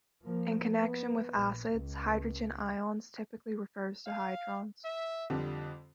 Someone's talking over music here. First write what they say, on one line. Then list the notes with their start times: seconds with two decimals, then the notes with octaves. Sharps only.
In connection with acids, "hydrogen ions" typically refers to hydrons.
0.23 F3 A#3
0.78 B3
1.33 A#1
1.70 C#2
4.06 F5
4.83 E5
5.30 F2 D3 G3 D4